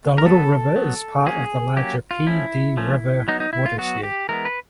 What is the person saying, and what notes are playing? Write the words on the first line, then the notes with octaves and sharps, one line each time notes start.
The Little River is part of the larger Pee Dee River watershed.
A#4
F#3 B3 A4
F#3 B3
F#3 A#3 C#4 G#4
F#3 A#3 C#4 G4
F4
F3 A3 C#4 E4
F3 A3 C#4
F#3 B3 D#4
D#4
E4
F4
F#3 B3 F#4
G4
E3 G#3 B3 A#4
B4